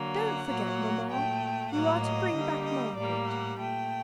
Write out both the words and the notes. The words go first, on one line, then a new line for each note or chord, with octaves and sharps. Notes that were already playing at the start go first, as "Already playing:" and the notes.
Don't forget, mamma; you are to bring back Margaret.'
Already playing: D3 F#3 A#3
F#5
A#2 F#3 A#3
A#2 A3 G5
A2 F#3 A#3 F#5
D#5
D3 G3 A#3
D#5
A2 G3 A#3 D5
F#5
A#2 A3 G5